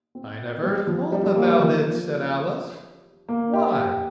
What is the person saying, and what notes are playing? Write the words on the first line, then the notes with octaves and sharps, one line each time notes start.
'I never thought about it,' said Alice. 'Why?'
C4
G3
F3
G3
G3
A#3
G3
F3
F3
A#3
G4
G4